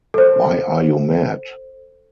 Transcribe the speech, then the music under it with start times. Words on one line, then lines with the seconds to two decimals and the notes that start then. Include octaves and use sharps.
Why are you mad?
0.14 A4 C5